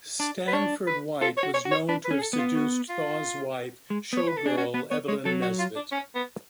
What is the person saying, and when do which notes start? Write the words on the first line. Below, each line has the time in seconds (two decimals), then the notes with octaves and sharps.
Stanford White was known to have seduced Thaw's wife, showgirl Evelyn Nesbit.
0.20 D4 D5
0.48 B4
0.53 D4 C#5
0.87 B4
1.21 F4 A4
1.37 C#5
1.43 F#4
1.54 C#5
1.65 F#4
1.72 C#5
1.89 D4 B4
2.04 B4
2.11 C#4
2.18 G#4
2.22 A4
2.33 B3
2.38 F4
2.55 F#4
2.89 F4
3.90 G#3
4.13 B3
4.17 C#5
4.28 B4
4.37 A4
4.46 D4 G#4
4.57 C#4 F#4
4.74 B3 B4
4.91 B3 C#5
5.08 G#3 C#5
5.25 F#3 A4
5.42 F#4
5.59 F4
5.76 D4
5.92 C#4
6.15 B3